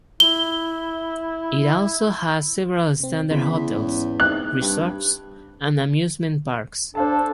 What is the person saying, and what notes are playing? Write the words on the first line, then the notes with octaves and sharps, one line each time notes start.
It also has several standard hotels, resorts and amusement parks.
E4 G7
C3 C4
E2 C#3 C6 B6
G#2 C#4
C4 D#4 F#6
G2
D4 A4 C5 F5 A5